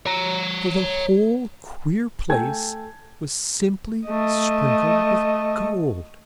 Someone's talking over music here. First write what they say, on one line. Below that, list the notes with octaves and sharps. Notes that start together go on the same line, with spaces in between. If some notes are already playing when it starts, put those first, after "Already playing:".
For the whole queer place was simply sprinkled with gold.
C#5 A#5
A3 G5 G#5 G#6
A3 D#5